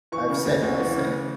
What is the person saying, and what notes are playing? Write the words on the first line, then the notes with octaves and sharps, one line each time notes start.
I have said my say.
E3 C#6
C#3
D2
D2
E3
C#3